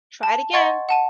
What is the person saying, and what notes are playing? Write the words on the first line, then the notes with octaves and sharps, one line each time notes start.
Try it again.
A5
D#5 F#5 C6 C#6 G#6 A6
F#5 A5 D#7